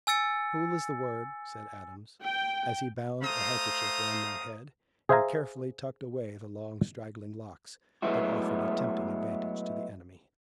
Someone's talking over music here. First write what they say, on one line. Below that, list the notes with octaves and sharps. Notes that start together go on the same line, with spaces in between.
"Cool is the word," said Adams, as he bound a handkerchief round my head, and carefully tucked away the long straggling locks that offered a tempting advantage to the enemy.
G#5 E6 A6 C#7
G5
A3 C5 F5 A#5 D#6
G#4 C5 E5 F5 G#5 A#5
F#3 G#3 A3 B3 E4 F#4